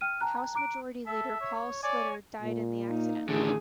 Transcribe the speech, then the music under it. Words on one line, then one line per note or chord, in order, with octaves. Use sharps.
House Majority Leader Paul Sliter died in the accident.
G5 F6 D#7
G5 A5 A#5 F#6
A#5 D6 F#6 D7
A4 E5
C#5
C#5 D5 G#5
A#2
A#3 D#4
A1 D3 D#3 A3 G#4